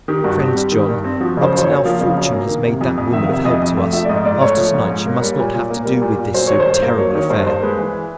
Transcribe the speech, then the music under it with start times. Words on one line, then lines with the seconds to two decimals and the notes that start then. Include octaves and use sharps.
Friend John, up to now fortune has made that woman of help to us; after to-night she must not have to do with this so terrible affair.
0.08 D#3 G4
0.24 G2 F#4
0.40 C4 G4
0.56 G3
0.72 D#3
0.89 G2
1.04 C4
1.21 F3 F#4
1.37 C#3 C5
1.53 F#2
1.58 C5
1.63 C#5
1.69 A#3
1.85 F3 F5
2.01 C#3
2.17 F#2
2.32 A#3
2.49 D#3
2.66 C3
2.81 F2
2.98 F2
3.13 D#3 E5
3.23 F5
3.29 C3 E5
3.45 F2 D#5
3.62 F2
3.77 A3 E5
3.93 F3 E5
4.05 D5
4.09 G#2 D#5
4.25 G#2 D5
4.41 A3 C#5
4.57 F3
4.74 G#2
4.90 G#2
5.06 A#3
5.22 G3
5.39 A#2
5.54 A#2
5.70 A#3
5.85 G3
6.02 A#2
6.18 A#2
6.34 F#3 C5
6.47 D#3 C#5
6.60 C5
6.66 G2
6.82 A#3
6.98 F#3 C#5
7.14 D#3 C#5
7.30 G2 C5
7.46 A#3 C5
7.62 G#3 B4
7.78 E3